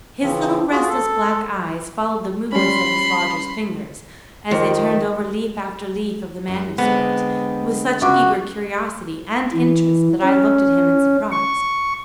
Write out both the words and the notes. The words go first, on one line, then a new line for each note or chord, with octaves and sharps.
His little restless black eyes followed the movements of his lodger's fingers, as they turned over leaf after leaf of the manuscript, with such eager curiosity and interest that I looked at him in surprise.
C#3 E3 F3 C4
F4 F#4 G#4
A4
G3 C#4 B5 C6
F2 D#3
F#2
D3 G#3 B3 C4
C#2 F#4 E5 D6
E3
C#4
C#6